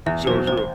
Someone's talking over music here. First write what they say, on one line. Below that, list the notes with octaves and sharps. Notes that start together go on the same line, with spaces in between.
Sure, sure.
E2 E5
B2 F#3 C4 C5
A1 C5
C5